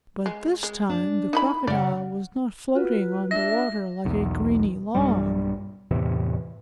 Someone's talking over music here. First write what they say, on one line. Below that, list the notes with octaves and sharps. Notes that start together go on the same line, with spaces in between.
But this time the Crocodile was not floating on the water like a greeny log.
G#3
G#3
D4
D#4 E4 B5
C#3 D5 F#5
F4 F#4 B4
D4 E5 A#6
B1 E2
B1 G2 G3
E2 A2 C3 E3